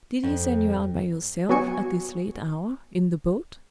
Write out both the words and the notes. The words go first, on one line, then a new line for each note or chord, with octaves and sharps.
"Did he send you out by yourself, at this late hour, in the boat?"
F2
F#3 B3 F#4 G#5 C#7